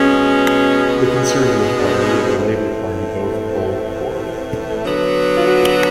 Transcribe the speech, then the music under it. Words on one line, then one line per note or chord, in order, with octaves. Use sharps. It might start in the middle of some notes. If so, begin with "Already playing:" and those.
The Conservative Party and the Labour Party both polled poorly.
Already playing: B2 G#3 B3 C#4
C#4
D4
C4
C#4
C4
A2 E3 A3 C4
D3 F#3 B3
F4
F#4